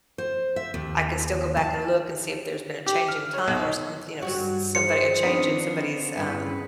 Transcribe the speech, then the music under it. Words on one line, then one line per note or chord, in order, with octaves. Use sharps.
I can still go back and look and see if there's been a change in time or somethi you know, s somebody a change in somebody's, um,
C5
E5
D#2
A5
G4
F6
C#5
B1
D#4
G2 F#3 G3 F#4
F3 G#4 A#4 C6 C#7
D#3 B3 C4 D4 D#4 F5
G2 C#3 E4 B4